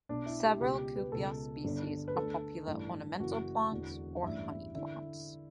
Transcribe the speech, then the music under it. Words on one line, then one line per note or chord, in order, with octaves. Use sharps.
Several "Cuphea" species are popular ornamental plants or honey plants.
B1 B2 D4
E4
G4
C#2 B2 G4
B4
C#2 B2 A4
G1 G2 D3
B4
D2 D3 A4
A1 G2 E3
F#1 F#2 E3 F#4
E1 E2 D3
A1 G2 E3 E4
D3 E4